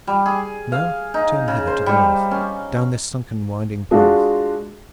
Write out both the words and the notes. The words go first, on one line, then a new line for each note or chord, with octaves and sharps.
And now turn hither to the north, down this sunken winding path!
G3
G#4
F5
D#4
C#3
C5
G3
C#4
G#3 D4 F4 F#4